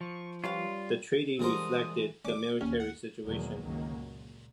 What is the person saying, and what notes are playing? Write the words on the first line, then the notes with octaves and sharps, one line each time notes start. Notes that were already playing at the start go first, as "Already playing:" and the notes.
The treaty reflected the military situation.
F3 C#6
G3 C#4 F4 B4 F5
D3 E3 G3 G#3 A#4 C5 D#6
C#4 D4 D6
D#2 C#4
F#5
E2 B2 D#3 F#3 G#3 A#3
G1 C#2 D#3 F#3 G#3 A#3
A#2